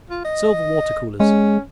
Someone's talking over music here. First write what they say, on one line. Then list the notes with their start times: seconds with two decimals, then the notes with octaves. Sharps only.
Silver water-coolers.
0.10 F4
0.25 D#5
1.20 G#3 C#4